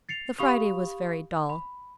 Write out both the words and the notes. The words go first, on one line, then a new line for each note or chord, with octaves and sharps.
The Friday was very dull.
A6 C7 C#7 F7
G4 F5 B5 C#6 D#6 F7
B5